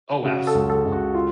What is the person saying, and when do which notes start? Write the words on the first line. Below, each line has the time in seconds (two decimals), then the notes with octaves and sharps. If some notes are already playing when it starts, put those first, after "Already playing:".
Oh, absolutely.
0.24 C#3 F#4
0.47 A4
0.55 C#2
0.70 A4
0.86 C#2
0.92 F#4
1.14 F4